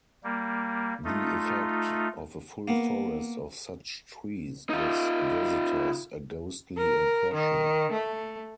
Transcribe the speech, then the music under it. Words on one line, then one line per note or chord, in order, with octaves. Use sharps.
The effect of a full forest of such trees gives visitors a ghostly impression.
G3 A#3
A3 D#4 F4
A#3 B3
D#4 F4
A#4
D#3
A3